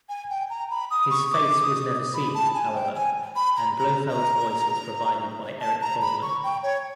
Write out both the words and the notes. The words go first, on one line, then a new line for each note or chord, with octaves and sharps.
His face was never seen, however, and Blofeld's voice was provided by Eric Pohlmann.
G#5
G5
A#5
B5
D#6
C#6
D6
D#6
B5
A5
G#5
G5
G#5
B5
A#5
A#5
A#5
A5
A#5
B5
C#6
G5
C#5